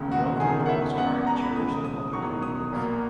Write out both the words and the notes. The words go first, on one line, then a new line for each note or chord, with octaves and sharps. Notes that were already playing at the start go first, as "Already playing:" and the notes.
He often draws caricatures of other comedians.
Already playing: E1 D#2 C#3 G#3
F#4
F#1 E2 D#3 F#3 G#4
F#5
E5
F#1 E2 C#3 G#3 B3 F#5
A#5
A#5
B5
E1 D#2 C#3 G#3 D#6
D#6
E1 E2 D#3 F#3 C#6
D#6
A#1 A#2 F#3 A#3